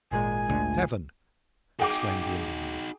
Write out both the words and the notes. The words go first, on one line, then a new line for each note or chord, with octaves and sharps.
"Seven!" exclaimed the Indian youth.
G#1 A#2 G#3 G#5
D2 D3
D#4 F#4 G#4 G5 D6